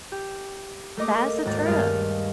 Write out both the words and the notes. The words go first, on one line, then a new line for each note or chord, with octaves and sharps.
That's a trip.
G4
A3 A#3 D#5 D6
G#1 D#2 A#5 A6
G2 G#3 D#5 F5 A6